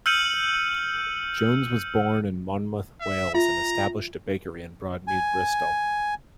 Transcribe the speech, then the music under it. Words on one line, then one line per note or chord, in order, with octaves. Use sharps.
Jones was born in Monmouth, Wales and established a bakery in Broadmead, Bristol.
E6 F6 G6 C#7 D#7 F#7
E5
F4 E5 A#5
G#5